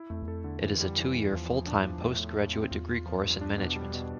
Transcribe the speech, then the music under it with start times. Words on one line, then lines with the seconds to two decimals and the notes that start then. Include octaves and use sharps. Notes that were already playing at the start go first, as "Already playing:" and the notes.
It is a two-year full-time post-graduate degree course in management.
Already playing: E4
0.10 F2 A3
0.22 E2
0.28 F2 A4
0.44 E2 D3
0.62 F2 E3
0.80 G3
0.98 E3
1.15 E3
1.32 E2 F3
1.49 F3
1.67 D4
1.84 F3
2.02 A2
2.19 A2
2.37 A2
2.53 C4
2.71 E2 F4
2.89 F4
3.06 F3
3.23 G2
3.41 D4
3.58 B2
3.76 G3
3.94 B2